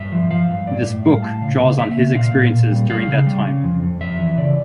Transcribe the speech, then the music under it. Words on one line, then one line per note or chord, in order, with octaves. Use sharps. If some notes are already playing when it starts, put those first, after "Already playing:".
This book draws on his experiences during that time.
Already playing: G2 E5
F3
F3 F5
G2
A2 D5
A2 E5
G3 F5
A2 A5
C#3 F5
C#3
A#3 E5
C#3
A#2 F5
A#2
A#2
G3
G3 F5
C#3
G3
C#3
F2
F2
F2 E5
E3
C#3 D5